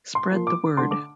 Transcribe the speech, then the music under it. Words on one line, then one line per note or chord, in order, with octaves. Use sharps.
Spread the word.
C6
F3 A#3
D6
D3 C6
D6